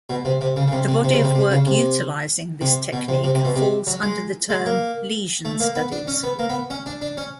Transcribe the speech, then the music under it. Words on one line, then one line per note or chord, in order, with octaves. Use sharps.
The body of work utilizing this technique falls under the term "lesion studies".
B2
C3
C3
C#3
C#3
C3
C3
C3
C#3
C3
C3
C#3
C3
C3
B2
C3
C3
C3
B2
C3
F#3
G#3
G#3
A#3
A3
A#3
B3
D4
C#4
B3
A#3
B3
C#4
D4
D4
C#4